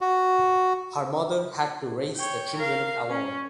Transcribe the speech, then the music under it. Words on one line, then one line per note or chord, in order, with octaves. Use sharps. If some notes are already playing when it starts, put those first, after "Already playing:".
Her mother had to raise the children alone.
F#4
C#5 G5
A#4 F5
C#4